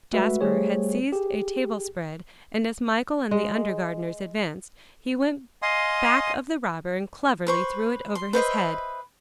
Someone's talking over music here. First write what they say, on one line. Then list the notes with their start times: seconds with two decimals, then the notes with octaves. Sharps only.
Jasper had seized a table-spread, and as Michael and the undergardeners advanced, he went back of the robber, and cleverly threw it over his head.
0.13 G#3 A3 F#4 B4 E5
0.41 G3 A3 G4 G#4 C5 C#5
1.12 G4 G#4
3.31 G#3
5.62 D#5 F5 G#5 C6 D#6
7.47 B4 C5 C#6
8.15 C6
8.33 B4 C5 D#5 E5